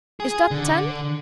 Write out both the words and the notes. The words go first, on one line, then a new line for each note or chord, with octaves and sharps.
"Is that ten?"
G#4
D3